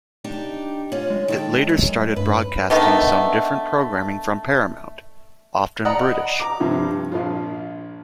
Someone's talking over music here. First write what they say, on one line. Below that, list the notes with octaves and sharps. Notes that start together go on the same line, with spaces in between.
It later started broadcasting some different programming from Paramount, often British.
D4 D#4 G4
C#4 F4
G#3
D#3 A4 G5
F#2
G2 B4
D3 D#3 A3 B3
D5 D#5 F#5 A#5 B5 D#6
A#5 D6
G2 C3 F3
A#1 F3 F4